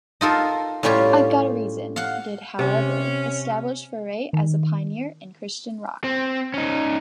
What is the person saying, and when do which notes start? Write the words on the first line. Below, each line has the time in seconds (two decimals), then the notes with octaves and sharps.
"I've Got a Reason" did, however, establish Furay as a pioneer in Christian Rock.
0.21 D#4 F4 A4 A#4
0.83 A2 G3 C#4 F4 G4
1.96 F5 F#5
2.59 C3 C#4
4.33 D#3
6.04 C4
6.54 C#4 D#4